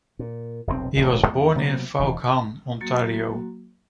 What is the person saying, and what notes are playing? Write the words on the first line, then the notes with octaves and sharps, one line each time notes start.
He was born in Vaughan, Ontario.
A#2
F1 B1 A2 C4
D1 A1 A2 C3
E2 F3 B3
C3 F#3 A#3 B3
E1 E3 F3
F#3 A#3 F#4